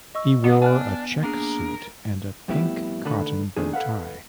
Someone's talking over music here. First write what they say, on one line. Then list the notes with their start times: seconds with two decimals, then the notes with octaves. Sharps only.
He wore a check suit and a pink cotton bow-tie.
0.15 D#5 C#6 E6
0.44 D3 F#3 B3
0.62 D4 G#5 F6 F#6
1.24 A#3 D4 G#4 A#4
2.48 F2 A2 G3 B3 E4
3.05 D3 D#3 A3 D4 A4 B4
3.56 A#2 D#3 A3 D4 G#4
3.73 A4 B4 F5 F#5